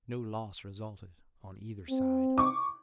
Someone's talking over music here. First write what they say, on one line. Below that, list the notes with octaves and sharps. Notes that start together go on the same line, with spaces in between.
No loss resulted on either side.
C4
C#6 D6